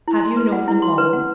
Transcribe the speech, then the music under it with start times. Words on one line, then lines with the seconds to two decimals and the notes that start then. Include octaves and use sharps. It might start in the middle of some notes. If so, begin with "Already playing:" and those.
"Have you known them long?"
0.08 E4
0.22 C6
0.37 B4
0.52 F#5
0.68 E4
0.82 C6
0.98 B4
1.13 F#5